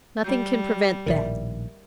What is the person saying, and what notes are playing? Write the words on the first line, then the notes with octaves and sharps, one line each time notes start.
Nothing can prevent that.
G3 G6
A#1 A2 D#3 A#4 D5 E5